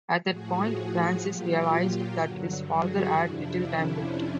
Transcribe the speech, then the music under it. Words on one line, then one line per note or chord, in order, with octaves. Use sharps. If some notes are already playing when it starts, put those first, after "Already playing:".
At that point, Francis realized that his father had little time left.
A2 F3 F#4 G#4
A#2 F#3 F4 G4
F4 G4
G2 D3 F#3
F#4 G#4
F2 C3 F3 D4 E4
C#4